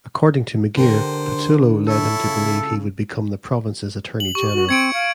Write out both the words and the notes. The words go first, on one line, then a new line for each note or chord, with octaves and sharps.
According to McGeer, Pattullo led him to believe he would become the province's Attorney-General.
D3 G4 A#4 C5
E4 A4 C#5
C#3
F#7
G4 C#6
F#4
C4 G#6 C#7 D7
F5